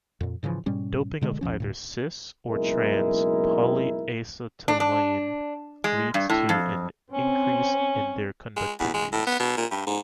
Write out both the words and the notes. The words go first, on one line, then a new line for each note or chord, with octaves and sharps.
Doping of either "cis"- or "trans"-polyacetylene leads to an increase in their conductivities.
F2 A#2
G#2 C#3 E3 F3
G#2 B2 G3 C#4
B2 D3 G#3
A1 D#2 F3 C#4
D2 A2
F#1 B1 G#3 E4 A#4
D4
D4
G#3
G2
A2
F2
C4 C#4
G#3
E2
G#3
A2
B3
B2
A#2
G2
G#2